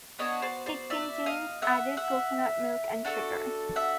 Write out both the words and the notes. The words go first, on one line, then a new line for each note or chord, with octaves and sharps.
It contains added coconut milk and sugar.
B3 D4 F#4 C#5 D#5
C5 D5
C5 D5
D5 E5
D#5 F5
E5 F#5
E5 F#5
D4 F#4 A4
E5 F#5